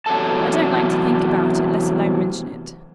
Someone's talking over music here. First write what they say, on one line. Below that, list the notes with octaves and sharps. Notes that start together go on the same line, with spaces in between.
"I don't like to think about it, let alone mention it."
E2 C3 F#3 A3 A4 A5